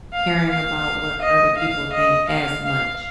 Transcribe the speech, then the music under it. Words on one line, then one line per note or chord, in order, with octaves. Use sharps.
caring about what other people think as much.
F5
F5
D#5
F5
D#5
F5
F5